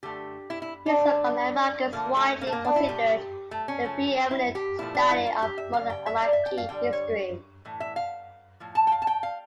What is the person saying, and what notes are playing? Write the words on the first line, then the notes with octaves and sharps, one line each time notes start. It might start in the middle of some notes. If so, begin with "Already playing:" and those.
His work on Iraq is widely considered the pre-eminent study of modern Iraqi history.
D3 A3 G4
E4
E4
D4
D3 A3
D3 F3 A3 A#3
A3
A#3
A3
A#3
D4
E4
A#2 A3 G4
A3
C#4
C#3 F3 A3
E4
G4
A#2 F3 A3 E4
D4
E4
F4
G4
E5
C#3 G3 F5
G5
E5
D5
E5
G5
F5
D3 G3 G5
C#5
A2 E3
E5
F5
A2 F3
A5
G5
F5
A5
G5
F5